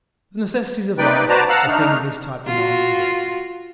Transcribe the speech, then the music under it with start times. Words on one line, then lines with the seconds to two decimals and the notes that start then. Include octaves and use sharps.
The necessities of life are things this type demands and gets.
0.98 A#3 D#4 B4 D5 G5
1.29 F#4 B4 C5 D5 A5 A#5
1.49 F5 F#5 A5 A#5 E6 F#6
1.66 A3 D4 D#4 F6
2.47 F4 F#4